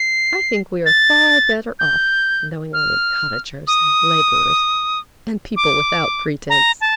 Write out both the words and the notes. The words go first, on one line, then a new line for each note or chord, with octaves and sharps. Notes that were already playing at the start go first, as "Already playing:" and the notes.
I think we are far better off, knowing only cottagers and labourers, and people without pretence.'
Already playing: C7
A6
G6
F6
D#6
D6
A#5
A5